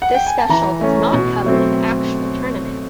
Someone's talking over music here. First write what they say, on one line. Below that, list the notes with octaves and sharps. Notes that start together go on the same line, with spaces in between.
This special does not cover the actual tournament.
F#5
G5
G#5
A5
E3 A#5
A3 C#4
B2
F#3 A3 C4